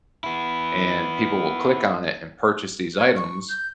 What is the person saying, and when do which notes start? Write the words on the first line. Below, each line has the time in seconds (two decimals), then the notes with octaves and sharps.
and people will click on it and purchase these items
0.24 B3 E4
2.96 C#5
3.15 C#6
3.48 G6